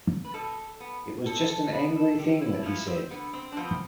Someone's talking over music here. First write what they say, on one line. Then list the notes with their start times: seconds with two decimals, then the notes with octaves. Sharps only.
It was just an angry thing that he said.
0.24 B4
0.34 B2 A4
0.80 B3
1.26 B2 A4
1.49 A4
1.72 B3 B4
1.96 A4
2.19 D3 G4
2.41 E4
2.55 D4
2.65 F3 B3 E4
2.87 C4
3.11 D3 B3
3.33 C4
3.52 D4
3.57 F3 B3 C4